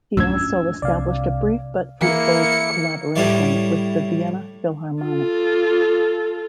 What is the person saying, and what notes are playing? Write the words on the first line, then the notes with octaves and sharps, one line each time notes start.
He also established a brief but fruitful collaboration with the Vienna Philharmonic.
C#4 D4 F4 E6 G#6
C2 C3 D5 F5
E3 A#3 E4 C#7
A2 G3 E4 C#5 D5
F4 A4